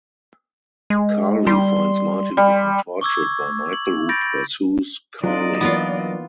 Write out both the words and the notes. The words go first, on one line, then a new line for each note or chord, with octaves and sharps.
Carly finds Martin being tortured by Michael who pursues Carly.
G#3
G3 C6
G3
C#6 D6 E6 G#6
F#7
B5 G6 A6 A#6 D7
F#3 D4 D#4 F4 D5 D#5
E3 A#3 B3 F4